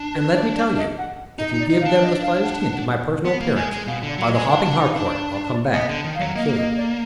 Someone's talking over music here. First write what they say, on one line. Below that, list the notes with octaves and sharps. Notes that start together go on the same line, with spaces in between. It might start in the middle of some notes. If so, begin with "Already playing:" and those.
And let me tell you, if you give them the slightest hint of my personal appearance, by the hopping Harcourt, I'll come back and kill you.
Already playing: D4
B4
D5
D5
D#5
F#5
D#4 D#5
D#4
D5
D#4 D#5
F5
D4
D#5
F5
F#5
B3
A#3
G#3
G#3
B2 F5
D3 D5
F#3 D5
D#5
G#3
D4 F5
D4
F#5
D#4
F5
D4
D#5
D5
D5
D5
B3 D#5
D3
D#3
F5
F#3
A#3 D#5
D#5
D5